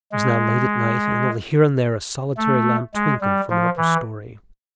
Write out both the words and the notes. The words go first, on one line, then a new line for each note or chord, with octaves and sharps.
It was now late at night, and only here and there a solitary lamp twinkled from an upper story.
G#3
A3
G#3
G3
F3
E3